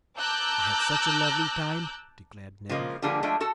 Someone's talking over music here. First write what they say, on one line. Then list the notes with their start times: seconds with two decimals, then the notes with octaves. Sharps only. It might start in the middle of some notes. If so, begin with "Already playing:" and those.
"I had such a lovely time," declared Nettie.
0.17 A5 A#5 D6 E6 F#6 G6
2.69 C#3 F3 G#3 A#3
3.02 D3 F3 G3 A#3 G#4
3.23 F3 G#3 A3 D4 D5
3.40 F#4 A4 A5